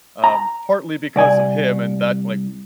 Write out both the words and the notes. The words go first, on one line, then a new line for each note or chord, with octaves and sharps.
Um, partly because of him and that like,
A#5
C2 D5 G#5